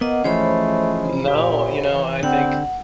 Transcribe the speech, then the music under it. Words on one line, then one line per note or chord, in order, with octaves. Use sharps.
N no, you know, I think
A#3 B3 D#5 F#5
E3 F3 G#3 A3 C#4 C5 C#5 B5
F#2 A#2 G4
E3
D3 G3 C4 F#5